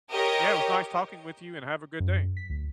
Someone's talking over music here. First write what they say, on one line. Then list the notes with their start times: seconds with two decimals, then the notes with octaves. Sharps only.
Yeah, it was nice talking with you, and have a good day.
0.11 G4 A#4 C#5 D#5
2.00 F#2
2.37 B6
2.50 D2